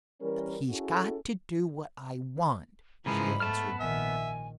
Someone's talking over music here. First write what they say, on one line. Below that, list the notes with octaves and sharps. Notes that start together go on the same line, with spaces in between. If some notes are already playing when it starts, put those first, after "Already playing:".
"He's got to do what I want," she answered.
E3 G3 C#4 A#4
C#4 E4 F#4 G#4 A4
G#2 C#3 E3 F3 G#3 A#4 B5
A3 B3 A5 F6
A#1 D#3 E5 G#5